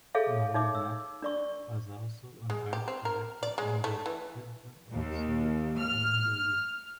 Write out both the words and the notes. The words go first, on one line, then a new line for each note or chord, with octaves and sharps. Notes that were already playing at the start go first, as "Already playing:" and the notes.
Malagnac was also an art collector and the husband of singer Amanda Lear.
G#4 A4 C#5 E5 F5
D#4 C#5 E5 D6
E6
D4 D5 C#6
G#3
G4
C4
A#4
D5
G#3
A3
E3
D#2
F6